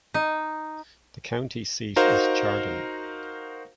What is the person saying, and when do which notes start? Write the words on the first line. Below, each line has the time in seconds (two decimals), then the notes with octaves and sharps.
The county seat is Chardon.
0.14 D#4
1.96 D#4 F#4 A#4 C5 F5